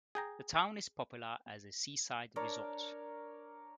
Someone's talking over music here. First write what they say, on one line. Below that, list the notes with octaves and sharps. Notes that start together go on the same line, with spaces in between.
The town is popular as a seaside resort.
G#4 G5 A#5
D4 A#4 C#5 D5